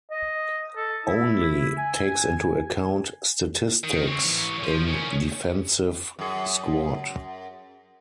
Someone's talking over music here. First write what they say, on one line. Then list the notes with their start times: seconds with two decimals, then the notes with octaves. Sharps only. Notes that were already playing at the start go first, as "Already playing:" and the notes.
Only takes into account statistics in defensive squad.
0.11 D#5
0.76 A4
1.06 E4
1.78 G#5
3.83 D#3
4.07 C4 C#5
4.23 E3 C#5
4.63 F3
4.87 D#3 C#4
6.19 F#2 G#4